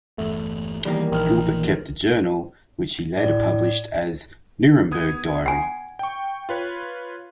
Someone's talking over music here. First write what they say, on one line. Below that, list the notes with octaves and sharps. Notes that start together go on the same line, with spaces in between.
Gilbert kept a journal, which he later published as "Nuremberg Diary".
G1 E2 A3
E2 D#3 G3 A#3
A#1 D#3 F6
A2 D5
B3 D#6 G#6
F#5 G#5
G5 C#6
F4 B4 C#5